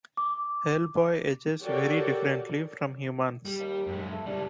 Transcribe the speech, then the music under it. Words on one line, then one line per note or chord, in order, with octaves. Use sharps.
Hellboy ages very differently from humans.
D6
F#4 G4 A4 A#4 C#5 D5
G3
D#2
F#2 G#3
A3
C#3 G3 D4